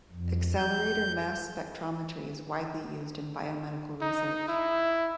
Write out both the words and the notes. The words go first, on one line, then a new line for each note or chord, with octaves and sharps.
Accelerator mass spectrometry is widely used in biomedical research.
F2
G6
D#4
E4